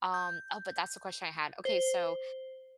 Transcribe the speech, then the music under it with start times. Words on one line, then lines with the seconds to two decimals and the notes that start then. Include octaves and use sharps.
um oh, but that's the question I had, okay, so
0.14 G6
1.65 C5